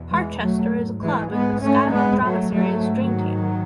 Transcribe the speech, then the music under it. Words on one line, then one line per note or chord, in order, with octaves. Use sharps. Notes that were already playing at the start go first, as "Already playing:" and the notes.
Harchester is a club in the Sky One drama series, Dream Team.
Already playing: E2 B2
E3 G#3
F#3 A3
G#2
E3 G#3
G#3 B3
A3 C#4
G#3 B3
F#3 A3
G#2 F#3 A3
D#3 F#3